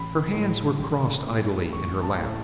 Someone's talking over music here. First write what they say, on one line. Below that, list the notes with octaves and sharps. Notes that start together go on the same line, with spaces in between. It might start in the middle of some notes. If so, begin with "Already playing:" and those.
Her hands were crossed idly in her lap.
Already playing: A1 B5
A2 A3
A1
A2 A3
A1 C#6
A5
A2 A3